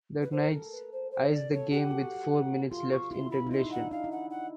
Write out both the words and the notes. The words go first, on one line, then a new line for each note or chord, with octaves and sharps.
The Knights iced the game with four minutes left in regulation.
B4
A#4 C5
A4 A#4
B4
C5
C5
D5
A4 C#5
G4 F#5
F#4
F4 C6
C#6
E4 C6
B5
D#4
E4 C6
D#4
F#5
D4
D#4 F5
E4
F#5
F#5